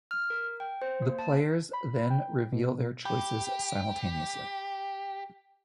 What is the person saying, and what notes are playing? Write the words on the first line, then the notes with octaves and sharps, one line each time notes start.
The players then reveal their choices simultaneously.
F6
A#4
G5
C5
A#3
A5
B5
G5
B2
G4 G5 B5 G6